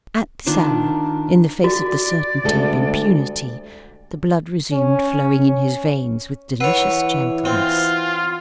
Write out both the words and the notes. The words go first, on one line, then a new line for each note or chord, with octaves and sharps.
At this hour, in the face of the certainty of impunity, the blood resumed flowing in his veins with delicious gentleness.
D#3 D4 F4
F#4 D5
D2 G3 G#3 A4
C#4
E3 B4 C#5 F#5 E6 C7
C4 F4